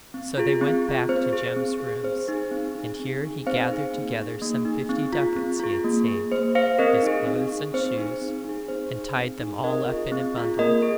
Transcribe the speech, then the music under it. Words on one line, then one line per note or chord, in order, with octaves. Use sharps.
So they went back to Jem's rooms, and here he gathered together some fifty ducats he had saved, his clothes and shoes, and tied them all up in a bundle.
C4
F4 G#4
C4
F4 G#4
C4 C5
G#4
C4
G#4
C4 C5
D#4 G#4
C4
D#4 G#4
C4
D#4 G#4
C4 C5 F5
D#4 G#4
A#3
D#4 G#4
A#3
D#4 G#4
C4
F4 G#4
C4
F4 G#4
A#3
G#4
A#3 C5
G#4 C5 F5
C4 A#4 D#5
D#4 G#4
C4
D#4 G#4
C4 C5
D#4 G#4
C4
D#4 G#4
C4 C5
D#4 G#4
C4
D#4 G#4
C4 A#4 D#5
F4 G#4
C4
F4 G#4
A#3 A#4 D#5
G#4